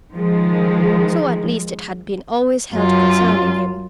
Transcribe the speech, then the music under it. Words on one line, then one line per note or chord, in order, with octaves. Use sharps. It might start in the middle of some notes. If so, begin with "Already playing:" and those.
So, at least, it had been always held concerning him.
D#3 F3 G#3
F#2 F4